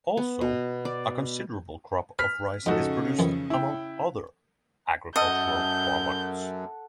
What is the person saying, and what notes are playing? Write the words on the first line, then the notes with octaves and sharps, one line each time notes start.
Also a considerable crop of rice is produced among other agricultural products.
B3
B2
D5
B4 F6 B6
F2 G#2 C#3 C#4 D#4 F#4 A4
F2 D#3 E3
E4 G5
F#2 A4 D#5 F#5 G6